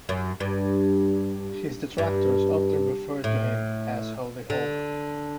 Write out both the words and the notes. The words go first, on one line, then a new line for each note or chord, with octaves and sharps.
His detractors often referred to him as Holy Homer.
F#2
G2
G2
A2
D3